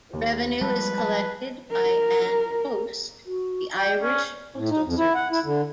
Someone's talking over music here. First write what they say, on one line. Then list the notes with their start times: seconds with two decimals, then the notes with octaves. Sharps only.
Revenue is collected by An Post, the Irish postal service.
0.13 D#2
0.61 F3 G3 G#3 B4 A5
0.98 A5
1.71 A#4
3.26 F#4
3.78 D5 G5
4.02 C#4
4.56 A2
4.70 D#4
4.86 F2
4.97 E4
5.14 F#5
5.31 E4
5.44 D3